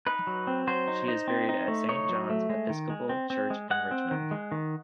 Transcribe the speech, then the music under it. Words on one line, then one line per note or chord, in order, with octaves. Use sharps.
She is buried at Saint John's Episcopal Church in Richmond.
D#4 B4
F#3
C4
F#3 C5
D#4
D#4
C4
D#4
A3
D#4 C#5
F#3
A3
G#3
D#3
G#3
C4
C4
G#3
G#3 F#5
C4
D#3
G#3
D#3